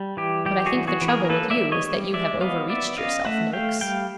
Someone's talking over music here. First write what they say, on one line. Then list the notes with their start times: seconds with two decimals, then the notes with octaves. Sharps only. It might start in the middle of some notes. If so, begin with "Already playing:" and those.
But I think the trouble with you is that you have overreached yourself, Noakes.'
Already playing: G3
0.17 E3 G4
0.45 G3 G4
0.66 F#4 G#4
0.74 E3
0.87 F#4 G#4
1.01 E3
1.08 G#4 A#4
1.25 A#4
1.29 A#3 A4 B4
1.50 D5 E5
1.57 G3
1.72 C#5 D#5
1.85 G3
2.13 G#3 D5 E5
2.41 B3 D#5 F5
2.69 B3 D5 E5
2.97 C#4 D#5 F5
3.25 A3 E5 F#5
3.53 A3 F5 G5
3.81 G3 F5 G5